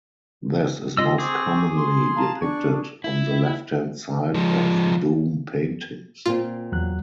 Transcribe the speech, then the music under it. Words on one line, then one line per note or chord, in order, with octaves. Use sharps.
This is most commonly depicted on the left hand side of Doom paintings.
F4 D#5 E6
C4 G#4 C#6 D6
C6
F5 A5 A#5
D4 C#6
E4
F3 G#3
A#2 A#3 C4 F4
E2 F#3 F#6